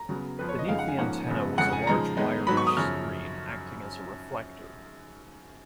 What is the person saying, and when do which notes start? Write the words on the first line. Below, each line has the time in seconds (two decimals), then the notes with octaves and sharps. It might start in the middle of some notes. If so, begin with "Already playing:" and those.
Beneath the antenna was a large wire mesh screen acting as a reflector.
Already playing: A#5
0.09 C#3 F#3 B3
0.39 F2 F3 B3 B4
0.49 C#5
0.59 D#5
0.68 F2 C#3 G#3 D#4 F5
0.79 F#5
0.88 G#5
0.98 G#2 F3 A#3 C#4 F#5
1.28 F#2 C#3 F3 B3
1.58 F2 C#3 G#3 F#5
1.73 G#5
1.87 C#3 F3 G#3 D#4 A#5
2.17 D#3 G#3 B3 D#4
2.47 G#2 D#3 F#3 B3 B5
2.57 C#6
2.67 D#6
2.77 F#2 C#3 F3 F6